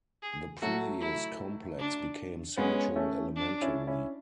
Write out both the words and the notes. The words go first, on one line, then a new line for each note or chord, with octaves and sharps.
The previous complex became Central Elementary.
G#4
F#3 A3 F#4
E4
D4
G#3 B3 C#4
A3 C#4
D4
C#4 E4
C#4 E4